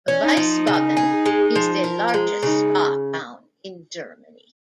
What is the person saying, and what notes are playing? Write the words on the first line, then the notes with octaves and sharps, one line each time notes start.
Wiesbaden is the largest spa town in Germany.
C#4
D#4
F3
C#3
G#4
G#3
F3
A#4
G#3
C#3 D#4